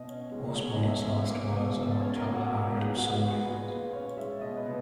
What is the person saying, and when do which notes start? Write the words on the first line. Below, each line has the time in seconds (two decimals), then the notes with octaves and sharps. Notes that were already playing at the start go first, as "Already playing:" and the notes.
Osborn's last words are, Tell Harry, I'm sorry.
Already playing: B2 D#5
0.08 C#4
0.32 G#3
0.56 B2 C#5
0.72 D#5
0.80 B2
0.88 E5
1.04 C#4
1.28 A#3
1.52 B2
1.76 B2
2.01 C#4 C#5
2.16 A#4
2.25 A#3
2.33 F#4
2.49 B2 A#4
2.65 A#4
2.73 B2
2.81 G#4
2.97 B3 F#4
3.13 F#4
3.21 G#3
3.29 G#4
3.44 A#2 B4
3.68 A#2
3.93 C#4 C#5
4.17 G#3 E5
4.41 B2 D#5
4.57 B4
4.66 B2